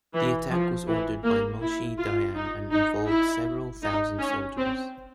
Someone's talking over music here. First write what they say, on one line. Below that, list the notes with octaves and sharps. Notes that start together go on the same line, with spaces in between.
The attack was ordered by Moshe Dayan and involved several thousand soldiers.
E3
F3
E3
A#3
E4
F4
D#4
D#4
E4
D#4
C#4
C4